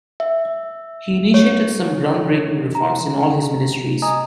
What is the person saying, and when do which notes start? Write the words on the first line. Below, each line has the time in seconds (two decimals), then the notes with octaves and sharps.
He initiated some ground breaking reforms in all his ministries.
0.20 E5
1.34 C#5
2.75 A#5
4.02 D#5 G#5 A#5 D#6